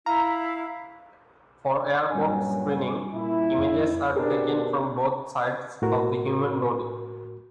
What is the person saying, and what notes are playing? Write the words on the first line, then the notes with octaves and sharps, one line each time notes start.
For airport screening, images are taken from both sides of the human body.
E4 F5 A#5
G2 A#2 F#3 G3 C#4 G#5
A#2 E4
F2
B2 C4 D4 G4 G#4 A#4
A2 F#4 A#4